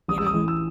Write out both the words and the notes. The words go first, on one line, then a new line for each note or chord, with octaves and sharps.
you know?
A1 D#6
E6
D#6
E3
E6